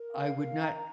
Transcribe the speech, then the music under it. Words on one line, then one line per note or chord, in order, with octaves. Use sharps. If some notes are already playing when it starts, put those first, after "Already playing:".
I would not,
Already playing: A#4
F5
A#4
A#5